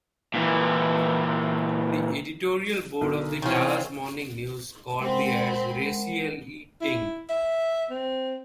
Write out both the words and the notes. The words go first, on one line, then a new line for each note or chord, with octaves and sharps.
The editorial board of the "Dallas Morning News" called the ads "racially tinged".
A#2 E3
B1 D3 D#3
C3 D#3 E3 C4 C#4 F4 G#4
G#3 C4 A#4 F#5 B5
E4
E5
C4